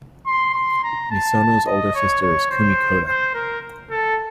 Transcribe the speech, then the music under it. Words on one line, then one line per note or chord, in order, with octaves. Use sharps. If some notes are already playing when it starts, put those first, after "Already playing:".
Misono's older sister is Kumi Koda.
C6
C6
A#5
A5
D#5
C#5
C#5
C5
C5
A#4
A4